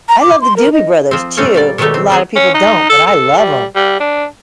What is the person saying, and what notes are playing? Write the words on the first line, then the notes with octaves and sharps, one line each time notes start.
I love the Doobie Brothers too. A lotta people don't, but I love 'em.
A#5
D6
C6
A#4
D#5
F3 C4
G3 A3 C4 C#4
A#2 G3 D5
B2 D#3 F#3 G#3 A3 G4
C4
F3 C4 G#4
C#4
D#4
A4
A4
G3
G3
D4